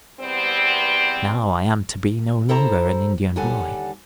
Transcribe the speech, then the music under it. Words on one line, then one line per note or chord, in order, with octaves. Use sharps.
Now I am to be no longer an Indian boy.
E2 G3 B3 C4
E4 A4 C5 A#5
D#2 D3 G3 A4 F#5 G#5